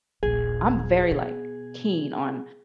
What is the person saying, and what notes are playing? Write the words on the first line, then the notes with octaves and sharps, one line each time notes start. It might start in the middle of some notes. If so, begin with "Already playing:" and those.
I'm very, like, keen on
D#1 A#1 G#4
B2